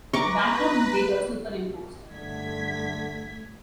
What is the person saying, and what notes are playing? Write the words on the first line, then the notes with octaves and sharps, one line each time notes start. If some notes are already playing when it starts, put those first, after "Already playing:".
The backdrop was later superimposed.
B4 A#5 C#6 D6
G2 D3 A3 G#6 B6